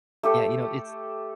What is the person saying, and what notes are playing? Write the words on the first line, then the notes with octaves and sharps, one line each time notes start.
yeah, you know, it's
A3 G4 A4 G5